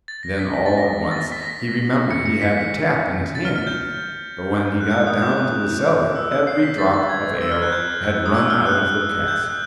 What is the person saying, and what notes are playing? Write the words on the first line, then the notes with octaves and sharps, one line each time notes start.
Then all at once he remembered he had the tap in his hand; but when he got down to the cellar, every drop of ale had run out of the cask.
A6
A#6
B6
A#6
A6
A#6
A6
A#6
B6
A#6
B6
C#7
C#7
B6
A6
F6
F6
G6
F#6
G6
D#6
D#6
D6
D#6
E6
G6
C7
B6
A6
A6
G#6
E6
F6
F#6
G6
D#6
E6
F6
F#6
G6
F#6